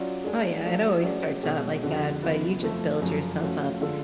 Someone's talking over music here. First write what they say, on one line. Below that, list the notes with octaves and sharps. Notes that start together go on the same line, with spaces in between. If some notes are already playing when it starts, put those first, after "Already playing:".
Oh yeah it always starts out like that, but you just build yourself up
Already playing: F#3 C#4 F4 D5
G#3 D4 G#4
F#3 A3 D4
F#3 C#4 G#4 D5
B2 G#3 C#4
F2 D3 G#3 D4 F#4
C#3 F3 B3 F4 B4
F2 F3 A3
F#2 C#3 F3
F3 A3 C#4 F#4
D3 G#3 D4 F4 A4